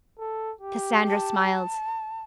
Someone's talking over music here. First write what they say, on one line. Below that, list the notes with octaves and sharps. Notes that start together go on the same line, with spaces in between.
Cassandra smiled.
A4
G4
A5